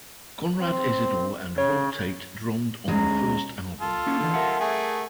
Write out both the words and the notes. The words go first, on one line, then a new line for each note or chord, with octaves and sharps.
Conrad Isidore and Rob Tait drummed on the first album.
C4
C#3 C#5
D2 G#3 C#4 A#5
F4 A4
A#3 C#4
D3 E3
A#4 E5 F#5
A3 G#4